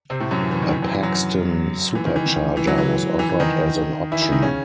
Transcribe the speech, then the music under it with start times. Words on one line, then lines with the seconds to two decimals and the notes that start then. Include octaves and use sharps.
A Paxton supercharger was offered as an option.
0.10 C3 C4
0.20 A2 A3
0.31 F#2 F#3
0.41 E3
0.51 E3
0.62 D#3
0.72 E3
0.82 F#2 F#3
0.93 E3
1.03 F#2 F#3
1.95 E3
2.06 D#3
2.16 E3
2.26 D#3
2.57 E3
2.67 F#3
2.78 E3
3.19 E3
3.29 E3
3.40 D#3 D#4
4.12 E3 E4
4.22 E3 E4
4.32 D#3 D#4
4.42 C#3 C#4